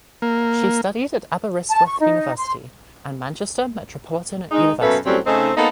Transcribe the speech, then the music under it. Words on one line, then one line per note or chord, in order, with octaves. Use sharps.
She studied at Aberystwyth University and Manchester Metropolitan University.
A#3
A5
C#6
D#4
C6
G#3 D#4
F#2 B2 A#3 A4 B4 E5
F#2 A2 F#3 G3 C4
C#3 A3 C4 D#4
A#3 B3 D#4 A4